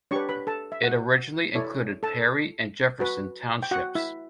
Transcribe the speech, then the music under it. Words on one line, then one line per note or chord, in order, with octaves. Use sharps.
It originally included Perry and Jefferson townships.
D4 G4 B4 C#5 C#6
B4 B5
A4 A5
E5
F#4 F#5
E4 A4 C#5 D5
A4 A5
F#4 B4
G5
F#4 F#5
E4 E5